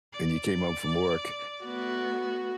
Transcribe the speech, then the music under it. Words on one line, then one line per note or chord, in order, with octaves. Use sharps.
and you came home from work,
D5
A3 B3 F#4